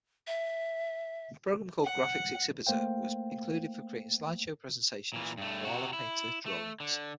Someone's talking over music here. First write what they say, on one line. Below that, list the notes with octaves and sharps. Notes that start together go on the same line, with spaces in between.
A program called "Graphics Exhibitor" was included for creating slideshow presentations from KoalaPainter drawings.
E5
F#5
A3 A#3 C5 F5 G5
A#2 E3
G2 A3
C3 F#4
E4
A3
D3